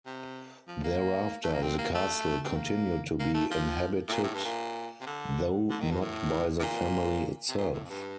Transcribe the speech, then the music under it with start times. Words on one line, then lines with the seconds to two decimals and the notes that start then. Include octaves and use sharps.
Thereafter the Castle continued to be inhabited, though not by the family itself.
0.06 C3
0.68 F3
0.84 A#3
1.44 A3
1.53 A#3
1.62 C4
1.78 A#3
1.94 A3
2.44 C4
2.56 A#3
3.20 A#3
3.34 A3
3.51 F3
4.08 A2
4.13 A#2
4.23 A2
4.34 G2
4.44 A#2
5.01 C3
5.06 D3
5.70 D3
5.81 D#3
5.91 G2
6.01 A2
6.60 A2
6.64 A#2
7.49 C3
7.58 A#2
7.74 A2
7.85 F2
7.90 G2